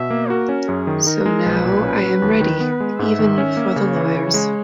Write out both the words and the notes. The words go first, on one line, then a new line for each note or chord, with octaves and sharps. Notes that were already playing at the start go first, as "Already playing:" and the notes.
So now I am ready even for the lawyers.
Already playing: B2 E5
A#3
F#4 A#4
C#4
F#2 G#4
D#3
D#4 A#4
G#3
B1 B4
A#2
C#4
F#3
D#2
D#3
B3
G#3
G#2 E5
D#3
C#4
A#3
C#3 C#5
E3
C#3
G#3